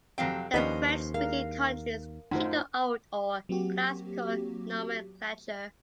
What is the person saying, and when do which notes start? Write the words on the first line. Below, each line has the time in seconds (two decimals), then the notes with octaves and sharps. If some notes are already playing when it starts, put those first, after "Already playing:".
The French-speaking countries keep the old or classical nomenclature.
0.18 F2 C3 F#3 C4 F5 G5
0.54 D#2 F3 C#4 D4 B4 C5 D#5 B5
1.14 G#3 D4 A#4 F5
2.31 F#2 A2 D#4 F4 C5
3.49 F#3 A#3 C4 F#4 G4